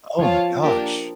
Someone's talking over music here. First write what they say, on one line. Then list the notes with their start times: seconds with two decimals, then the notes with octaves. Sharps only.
Oh my gosh.
0.19 F3 F4 C#5 F5 A5
0.62 A#3 D4 G4 A#4